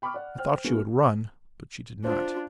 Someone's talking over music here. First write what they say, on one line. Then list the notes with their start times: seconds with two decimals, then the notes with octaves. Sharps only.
I thought she would run, but she did not.
0.02 G5 B5 C#6 D6 F6
0.14 D5 F#5
0.38 C5 G5 F6
0.64 G#3 A#3 B3 D4 F#4 G#4
2.05 D4 F4 C5